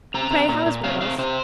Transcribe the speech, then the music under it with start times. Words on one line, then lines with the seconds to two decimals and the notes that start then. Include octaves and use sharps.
Pray, how is Brittles?'
0.14 C3 A#5
0.31 C3
0.49 A#2
0.66 A#2
0.84 C3 F5
1.01 C3 F5
1.18 C3 C5